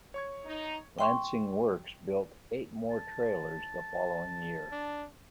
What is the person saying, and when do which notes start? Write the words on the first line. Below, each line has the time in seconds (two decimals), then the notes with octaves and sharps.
Lancing Works built eight more trailers the following year.
0.14 C#5 C#6 G#6
0.46 D#4
0.99 G5 C6 C#6
2.90 A5
4.72 D4